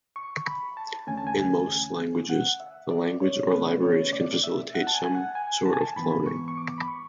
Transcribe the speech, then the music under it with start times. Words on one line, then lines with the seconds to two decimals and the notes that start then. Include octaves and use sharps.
In most languages, the language or libraries can facilitate some sort of cloning.
0.16 C#6
0.37 C#6
0.46 B5
0.77 A5
1.07 E2 D3 A3 C#4 G#5
1.18 A5
1.27 G#5
2.30 F#5
2.60 E5
2.91 D5
3.22 C#5
3.46 C#5
3.52 C#2 B2 A3 C#4 B4
3.83 C#5
4.13 D5
4.44 E5
4.75 F#5
4.87 A5
4.94 G#5
5.05 G#5
5.15 F#5
5.35 G#5
5.65 A5
5.73 G#5
5.81 A5
5.96 G#2 E3 B3 B5
6.26 C#6
6.48 C#6
6.57 D6
6.78 B5
6.88 C#6